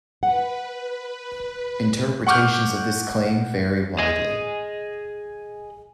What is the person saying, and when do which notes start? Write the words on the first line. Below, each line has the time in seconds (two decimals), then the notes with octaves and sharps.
Interpretations of this claim vary widely.
0.23 B4 F#5
2.27 F#5 C#6 D6 F6 G6
3.98 G#4 D#5